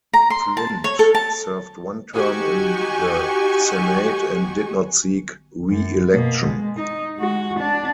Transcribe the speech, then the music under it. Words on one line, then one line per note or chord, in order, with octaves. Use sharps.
Flint served one term in the Senate and did not seek reelection.
A#5
C6
A5
C#5
A4
A5
D#4 F#4 G4 G#5 C#6
F#2
B2 A#3
G#3
D#4
G#3 F#4
D4